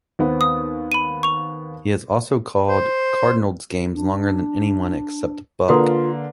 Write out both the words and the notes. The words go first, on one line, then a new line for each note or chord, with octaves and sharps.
He has also called Cardinals games longer than anyone except Buck.
D#2 B3 C4
D#6
B5 D#7
C#6 F7
C5
D4
D3 A#3 F4 B4 C6 D#6